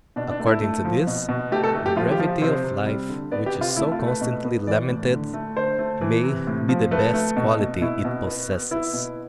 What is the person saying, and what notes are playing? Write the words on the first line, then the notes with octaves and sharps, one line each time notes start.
According to this, the brevity of life, which is so constantly lamented, may be the best quality it possesses.
B2 D4
D4
A3
E4
A3
F3
B2
B2
A3 G4
A4
A3
G4
F3 F4
G4
F3
C3 C5
C3
G3
D3
B3 D5
G4
C3
F4
A3 E4
F4
A3
B4
B2
B3
E3 D5
A2
D3
A3
D3 C5
A3
E3
C3
A2
F3
A3 B4
A3
B2
B2
B2 E4
B2
B3
B3
B3 E4
B2